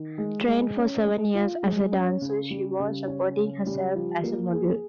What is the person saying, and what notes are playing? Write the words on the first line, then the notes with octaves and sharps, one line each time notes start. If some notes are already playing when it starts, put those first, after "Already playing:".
Trained for seven years as a dancer, she was supporting herself as a model.
Already playing: D#3
G#3
G#3
C#4
G#3
F4
G#3
C#4
C#3
G3
C#3
C#4
C#3
G3
F3
A#3
G#4